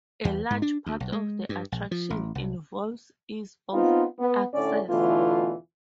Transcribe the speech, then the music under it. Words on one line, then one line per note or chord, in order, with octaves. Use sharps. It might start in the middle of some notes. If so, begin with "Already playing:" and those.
A large part of the attraction involves ease of access.
E2
G#2
D4
D2
B1
G#3
G2
A#1
F3
A1
C2
B3 C4 D#4 F4
B3
A2 D3 C#4 D5
E2 B2 D3 E3 A3 F4